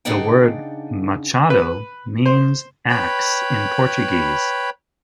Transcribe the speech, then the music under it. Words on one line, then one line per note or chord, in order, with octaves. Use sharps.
The word "machado" means axe in Portuguese.
C#3 D4 D#4 D5 F#5 G5
B4
C5
B4 C#5 G5 B5